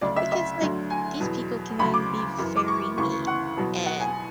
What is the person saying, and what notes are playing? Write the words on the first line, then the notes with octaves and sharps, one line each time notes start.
because, like, these people can be very mean, and
D2 C#3 F#3 D5
E5
E5
D2 D3 F#3
G#5
E2 B2 F#3
D2 C#3 F#3 B5
D6
F#2 E3
D6
C#6
D2 C#3 E3 C#6
F#5
E2 B2 F#3
F#5
G#5